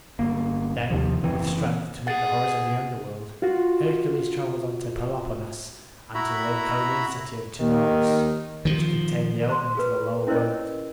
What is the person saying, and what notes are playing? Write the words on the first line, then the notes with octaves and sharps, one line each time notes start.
Then, with strength to meet the horrors of the underworld, Hercules traveled on to Peloponnesus, and to the Laconian city of Taenarus, which contained the opening to the lower world.
G1 A#3
D#2 C3 F3
F#1 E3 C4
G#4 F#5 A6
F4 F#4
E4 F#4 E5 A#5 B5
D#2 D#3
D#3 F3
C5 A#5 C6
F4 G#4 B4
C#4 E4 A#4 C5 C#5 D#5